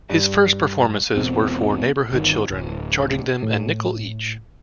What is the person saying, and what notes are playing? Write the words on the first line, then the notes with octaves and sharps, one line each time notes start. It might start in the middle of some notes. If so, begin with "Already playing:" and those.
His first performances were for neighborhood children, charging them a nickel each.
G2
E1 A#1 B2 C4
G1 D#3
D1
A2